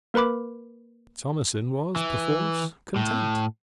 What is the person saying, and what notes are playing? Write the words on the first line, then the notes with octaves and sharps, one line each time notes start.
Thomasin was perforce content.
A#3 A#4 B4 B5 D6
E3
A2